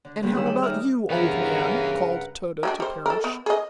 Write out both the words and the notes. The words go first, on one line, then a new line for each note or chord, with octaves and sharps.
"And how about you, old man?" called Tode to Parrish.
D3
G2 D3 G3 G#3 A#3
D#3 G3 C#4 G#4 E6
D5 D#5
D#2 D#4 A#4 D5 E5 F6
G2 C#3 E3 B3 E4 A#4 B4 F#5
F#3 G3 D4
G3 C5
A4 A#4
B3
G#4 D#5